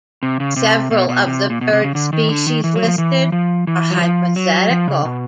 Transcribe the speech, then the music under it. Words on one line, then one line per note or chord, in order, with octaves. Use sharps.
Several of the bird species listed are hypothetical.
C3
C#3
C3
B2
B2
C3
A#2
B2
C3
C#3
D3
D#3
D3
D#3
E3
F#3
E3
F3
E3
F3
E3
F#3
F3
F#3
F3
C#3
B2